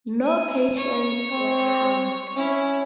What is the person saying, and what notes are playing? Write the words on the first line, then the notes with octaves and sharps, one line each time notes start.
No patients were harmed.
G#5
C#5
C4
C#4 E4